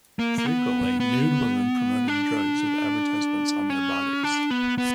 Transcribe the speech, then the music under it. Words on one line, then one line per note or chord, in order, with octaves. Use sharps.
Frequently, nude women promoted drugs with advertisements on their bodies.
A#3
A#3
B3
B3
D4
C#4
D4
B3
B3